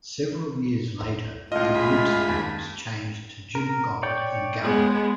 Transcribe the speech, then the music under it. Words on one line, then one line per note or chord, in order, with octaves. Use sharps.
Several years later the group's name was changed to Jim Gold and Gallery.
C#2 A2 F4 D#5
G#3 B5
D#2
A#4
C#5 D5 G5
G#3 B3